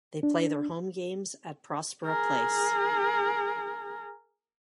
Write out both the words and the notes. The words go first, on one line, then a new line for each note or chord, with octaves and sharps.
They play their home games at Prospera Place.
D4
G#4 A#4